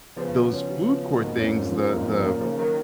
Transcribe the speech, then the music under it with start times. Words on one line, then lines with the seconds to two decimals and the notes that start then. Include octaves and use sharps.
those food court things, the the
0.16 C#3 F3 B3
0.34 F#4
0.51 C#5
0.68 F#3
0.85 B3
1.03 F#4
1.20 G#2 B2 A#3
1.37 F2 G#2 C#4
1.54 F2 G#2 F4
1.71 F#2 F3
1.89 A#3
1.97 F2 G#2
2.06 C#4
2.14 G#2
2.24 F#2 A#2 A#3
2.40 C#3 F3 D#4
2.59 D#3 F#3 A#4